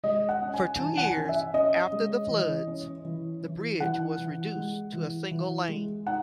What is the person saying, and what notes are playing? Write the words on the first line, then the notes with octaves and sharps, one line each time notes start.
For two years after the floods, the bridge was reduced to a single lane.
G#3 D#5
F#5
C#4
G#5
E3 A5
F#5
G#5
C#4
E5
C#4 D#5
G#3
E3
C#4
E3
E3
E3 F#5
E3
G#3
E3
E3
G#3
D#4 F#5